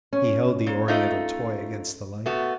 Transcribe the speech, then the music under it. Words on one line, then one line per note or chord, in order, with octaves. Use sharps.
He held the oriental toy against the light.
C#4
A#2
A3 D#4 F4
A3 B3 F#4